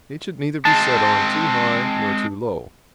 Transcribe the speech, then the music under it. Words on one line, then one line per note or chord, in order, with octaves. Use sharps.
It should neither be set on too high nor too low.
G#3 C4 A5